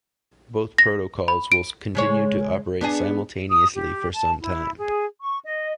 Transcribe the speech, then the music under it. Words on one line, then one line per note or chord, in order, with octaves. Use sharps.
Both protocols will continue to operate simultaneously for some time.
A#6
B5
D7
C#3 G#3 C#5
B3 D4 G#4
D#6
G4
A5
E4
G#4
C#6
D#5